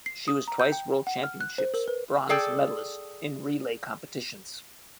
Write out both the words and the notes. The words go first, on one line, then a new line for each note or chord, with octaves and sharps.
She was twice World Championships bronze medalist in relay competitions.
C7
D#6
A#5
G6
G5
F#5
F6
F#6
C5
A#4
B4
G#4 A4 D5 G5